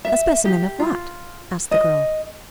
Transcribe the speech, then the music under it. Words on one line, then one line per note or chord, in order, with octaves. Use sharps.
"A specimen of what?" asked the girl.
E5
G4
F4
D#5